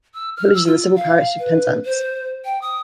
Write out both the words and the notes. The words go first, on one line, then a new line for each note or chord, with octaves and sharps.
The village is in the civil parish of Penzance.
E6
F6
E6
F4
F5
B4
C5
G5
D#6